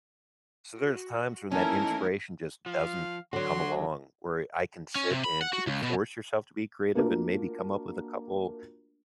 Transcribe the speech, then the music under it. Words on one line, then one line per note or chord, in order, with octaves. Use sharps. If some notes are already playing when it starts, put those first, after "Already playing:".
so there's times when that inspiration just doesn't come along where I can sit and you could force yourself to be creative and maybe come up with a couple
F#4
E3 A3 A#3 C#4 D#4 E4 A#4 A5
F3 F5
D3 F#3 F#4 C#5 C6
C#4
C3
B5
F#5
F#4
C#2
B2
A3 A#3 D4 F4 F#4 A#4